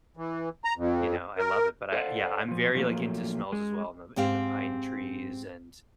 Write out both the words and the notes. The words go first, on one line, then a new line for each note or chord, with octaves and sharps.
you know, I love it, but I yeah, I'm very like into smells as well in the in the pine trees and,
E3
A#5
F2
A#4
A4 C5 D5 F5 F#5
A#2 F3
A#2 F3 F#3 A3 A#3
G#3
G#2 C4 G4 F5